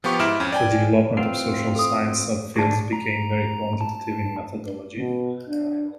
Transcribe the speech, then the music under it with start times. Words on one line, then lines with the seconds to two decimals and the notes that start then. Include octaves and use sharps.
The development of social science subfields became very quantitative in methodology.
0.04 F3 B3 G4 C#6
0.19 G#2 E4 F6 D7 E7
0.40 F2 C#4
0.52 D5 G5 G#5
1.17 A2 C4 F4 B4 F#5
1.76 A4 D#6
2.56 A2 D3 D4 G#4 A5
2.93 A#5
3.81 A5
4.97 B2
5.49 D4